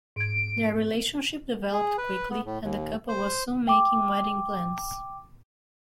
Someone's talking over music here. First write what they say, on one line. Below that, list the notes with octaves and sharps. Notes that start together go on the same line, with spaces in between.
Their relationship developed quickly, and the couple was soon making wedding plans.
G#2 G#6 D7
G#4
B4
B3
A2
D#2
C5
G5 D6